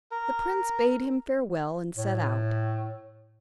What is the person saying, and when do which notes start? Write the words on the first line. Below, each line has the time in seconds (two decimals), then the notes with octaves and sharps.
The prince bade him farewell and set out.
0.11 A#4
1.96 A2